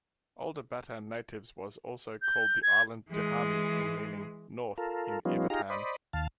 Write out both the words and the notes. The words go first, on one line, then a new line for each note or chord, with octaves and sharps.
Older Batan natives was also called the island Dihami, meaning ""north"" in Ivatan.
G6
G#6
E3 G#3
F4 A4 A#4
F3 G3 B3 C#4 D#4 F4
D#4 F4 G4 G#4 F5 A#5
C5 D5 D#5 B5
D#2 F5 A5